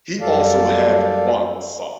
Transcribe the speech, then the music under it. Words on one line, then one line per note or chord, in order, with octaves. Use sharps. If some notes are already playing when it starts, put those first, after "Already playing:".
He also had one son.
F#2 G3 A4 D5 F5